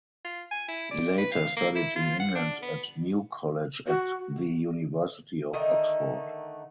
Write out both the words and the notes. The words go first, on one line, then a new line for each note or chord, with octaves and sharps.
He later studied in England at New College at the University of Oxford.
F4
G#5
E4
D5
B4
F5
A#3
E4
F4
F#5
D4
B3
F#4
D3 D#3 A3 D#4